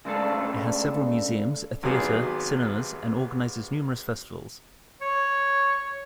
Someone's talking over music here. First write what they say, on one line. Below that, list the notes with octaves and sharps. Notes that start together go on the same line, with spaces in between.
It has several museums, a theater, cinemas, and organizes numerous festivals.
C#3 G#3 A3 D4 A4 B4
G#1 C3 F#3 B3 G#4 D#6
C#5